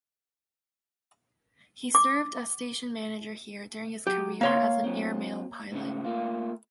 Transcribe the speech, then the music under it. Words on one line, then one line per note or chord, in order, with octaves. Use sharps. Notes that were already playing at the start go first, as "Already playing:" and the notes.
He served as station manager here during his career as an airmail pilot.
D6
F#3 G4
A#3 C#5 F5 C6
F#3 C4
G#2 C#3 A3
A3 A#3 F4